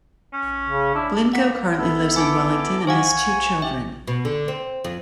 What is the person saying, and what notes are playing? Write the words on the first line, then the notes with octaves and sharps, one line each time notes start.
Blincoe currently lives in Wellington and has two children.
C#4
C#3
D4 E4
A#3 F#5 B6
B3 E4 A4
G#5 A5 D6
C5 F5 F#5 G#5 C#6
G4 E5
B2
D3
C4
F2